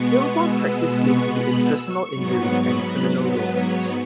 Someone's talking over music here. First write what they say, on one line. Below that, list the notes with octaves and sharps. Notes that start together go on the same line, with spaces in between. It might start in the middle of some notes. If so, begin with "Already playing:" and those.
Heilbron practised mainly in personal injury and criminal law.
Already playing: B2 G#3 B3 C#6
E6
E6
C#6
B5
E6
C#6
G#2 F#3 B3
B5
B4
C#5